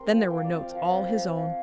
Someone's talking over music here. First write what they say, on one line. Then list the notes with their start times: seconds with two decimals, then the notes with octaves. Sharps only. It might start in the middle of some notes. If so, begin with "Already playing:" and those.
Then there were notes all his own.
Already playing: C4 G4 A#4 C6
0.11 F3
0.30 F3 G5
0.44 D5
0.50 C4
0.57 F5
0.70 F3
0.91 C4
1.11 F4
1.31 F3